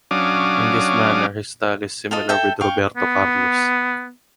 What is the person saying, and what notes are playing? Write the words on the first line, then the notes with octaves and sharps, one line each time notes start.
In this manner his style is similar with Roberto Carlos.
F#3 C#4 D4 F5 D6 D#6
F4 A4 D#5
A4 E5 G5
F5 G5 C#6
B3